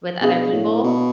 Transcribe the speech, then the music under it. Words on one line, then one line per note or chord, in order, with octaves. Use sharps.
with other people,
B2 D4 G#4 B4 F5
A2
B2